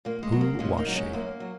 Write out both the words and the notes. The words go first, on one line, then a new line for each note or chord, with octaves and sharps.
Who was she?
A#2 A#3
G#3
F#3
A#3
A#2 G#3 C#4
A#3 D#4
F#3
G#3 C#4
F#2 A#3
F#3